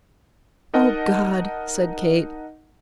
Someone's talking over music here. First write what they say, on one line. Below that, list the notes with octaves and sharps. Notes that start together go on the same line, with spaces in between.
"O God!" said Kate.
D#4 A#4 D#5 F#5 A5